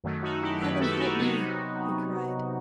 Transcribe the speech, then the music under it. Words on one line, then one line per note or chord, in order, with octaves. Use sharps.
"Heaven help me!" he cried.
F#2 D#3 F#3 A3
D#4 F#4
E4 G4
F#2 D#3 F#3 A3 G4 B4
F#4 A4
G4
D#4 F#4
C3 F#3 B3 D#4 F#4